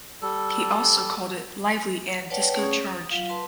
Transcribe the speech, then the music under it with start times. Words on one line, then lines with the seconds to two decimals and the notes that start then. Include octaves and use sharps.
He also called it "lively" and "disco charged".
0.22 G3 A4
2.30 B4 C#5 D5 F#5 G5 A5
2.55 A3 C#4 G#4 C#5 C#6 D#6
2.87 D#6
3.10 F#3 F4 F5
3.29 B4 A5 C6